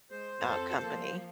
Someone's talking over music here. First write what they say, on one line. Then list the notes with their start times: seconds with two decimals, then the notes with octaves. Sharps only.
uh, company,
0.11 G#3 C5
0.41 F2 C4 A4
0.82 F3 A#3